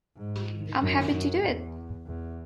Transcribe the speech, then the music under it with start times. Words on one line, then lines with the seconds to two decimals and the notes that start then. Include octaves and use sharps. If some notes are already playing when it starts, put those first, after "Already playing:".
I'm happy to do it.
0.17 G#2
0.80 F#2
1.12 F#2
1.44 E2
2.07 E2